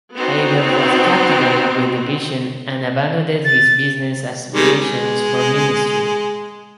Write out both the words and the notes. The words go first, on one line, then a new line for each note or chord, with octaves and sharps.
Hybels was captivated with the vision and abandoned his business aspirations for ministry.
B3 C4 D#4 F#4
A6
D#3 G3 G#3
G#3